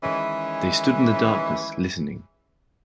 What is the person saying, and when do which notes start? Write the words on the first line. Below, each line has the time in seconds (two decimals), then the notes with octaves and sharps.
They stood in the darkness listening.
0.02 D#3 E3 G#3 C#4